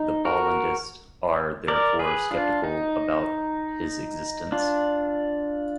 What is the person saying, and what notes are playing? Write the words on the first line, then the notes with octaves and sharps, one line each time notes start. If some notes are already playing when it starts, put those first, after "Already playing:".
The Bollandists are therefore skeptical about his existence.
Already playing: D#4
F#4 A#4
A#4 D5
G#4 B4
D4 F4
D#4
D4 F4